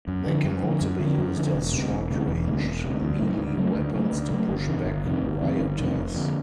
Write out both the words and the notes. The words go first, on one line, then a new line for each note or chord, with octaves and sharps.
They can also be used as short-ranged melee weapons to push back rioters.
F#2
D3 F3
F#2
D3 F3
F#2
D3 F3
F#2
D3 F3
E1
D2 C3
E1
D2 C3
E1
D2 C3
E1
D2 C3
D2
C#3 F#3 A3
D2
C#3 F#3 A3
D2
C#3 F#3 A3
D2
C#3 F#3 A3
G1
F2 C3 D#3
G1
F2 C3 D#3
G1
F2 C3 D#3
G1
F2 C3 D#3
F1
F2 D3